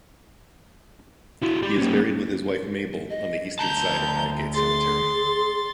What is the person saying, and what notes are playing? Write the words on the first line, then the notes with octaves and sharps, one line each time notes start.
He is buried with his wife Mabel on the eastern side of Highgate Cemetery.
E4 F#4
G4 B5
A#3 C#4
D#5
D2 A5 A#5 G6
G#4 C6 A6